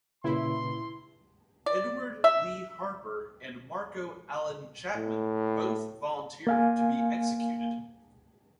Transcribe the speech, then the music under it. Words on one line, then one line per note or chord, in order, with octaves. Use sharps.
Edward Lee Harper and Marco Allen Chapman both volunteered to be executed.
A#2 C#3 E4 B4 C6
D5
E5
A2
A#3 F5 G#5